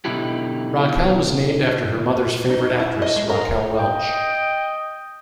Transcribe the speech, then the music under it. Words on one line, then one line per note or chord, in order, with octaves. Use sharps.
Raquel was named after her mother's favorite actress, Raquel Welch.
B2 D3 D#4 E4 G4
D#4
E4
D#5
G#3
A#4
D#5 G5